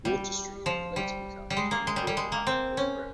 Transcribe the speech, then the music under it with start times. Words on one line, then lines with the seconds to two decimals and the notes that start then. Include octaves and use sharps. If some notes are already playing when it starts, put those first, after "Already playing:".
Water Street would later become Plainfield-Naperville Road.
0.05 G3
0.66 F3
0.96 G3
1.50 G3
1.57 G#3
1.71 A#3
1.87 G#3
1.96 G3
2.07 G3
2.17 G#3
2.32 A#3
2.47 C4
2.77 C#4